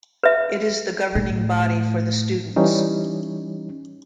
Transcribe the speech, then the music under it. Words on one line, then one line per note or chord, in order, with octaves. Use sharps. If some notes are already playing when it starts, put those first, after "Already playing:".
It is the governing body for the students.
B4 E5
A2
E3 G3 C#4 D#4